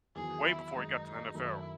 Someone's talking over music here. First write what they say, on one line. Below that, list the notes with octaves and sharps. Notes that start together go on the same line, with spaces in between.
way before he got to the NFL.
E2 D#3 F#3 G#4
E4
F#2 D#3 G#3 D#4
F#2 D#3 A3 E4